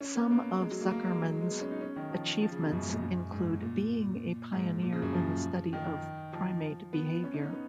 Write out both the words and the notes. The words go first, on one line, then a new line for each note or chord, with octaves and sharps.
Some of Zuckerman's achievements include being a pioneer in the study of primate behaviour.
C#4
B3
A#3
G#3
F#3
A#3
A#3
G#3
F#3
G#3
G#3
B3
C#4
D#4
C#4
D#3
F3
F3
C#3
B2
F#2
G#2
A#2
F#2
G#2
A#2
G#2
A#2
C#3
F#2
F3
D#3
F3
B3
C#4
D#4
C#4
B3